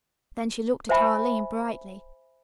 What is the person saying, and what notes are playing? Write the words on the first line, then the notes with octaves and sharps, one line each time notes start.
Then she looked at Arline brightly.
C5 E5 G#5 B5